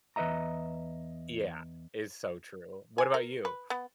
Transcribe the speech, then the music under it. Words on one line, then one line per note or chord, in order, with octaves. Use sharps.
Yeah, it's so true. What about you?
E2 B4 D#5 E5 A#5
G#5
A#4
B4
B3